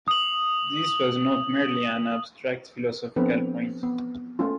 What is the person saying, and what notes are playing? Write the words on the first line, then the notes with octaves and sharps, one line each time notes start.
This was not merely an abstract philosophical point.
D#6 F#7
F3 B3 C4 D4 A4 B4
B3
A3 A#3 C#4 F4